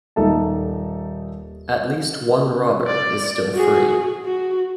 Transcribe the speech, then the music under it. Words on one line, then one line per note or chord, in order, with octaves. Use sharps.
At least one robber is still free.
D#1 D#4 A4 E5 A5
D5
F#4 G#4
F#4